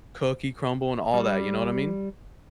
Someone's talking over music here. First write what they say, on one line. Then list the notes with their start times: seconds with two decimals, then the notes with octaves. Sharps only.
cookie crumble and all that, you know what I mean?
1.14 G3